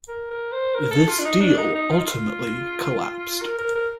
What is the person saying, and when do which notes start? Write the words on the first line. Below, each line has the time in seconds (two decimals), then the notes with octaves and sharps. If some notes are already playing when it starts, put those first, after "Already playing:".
This deal ultimately collapsed.
0.08 A#4
0.30 A#4
0.52 C5
0.75 A#4
0.91 A4
1.08 F4
1.19 D4
1.25 D#4
1.41 D4
1.58 D#4
1.75 D#4
1.91 F4
1.98 D#4
2.06 F4
3.42 A#4
3.58 A#4
3.75 A#4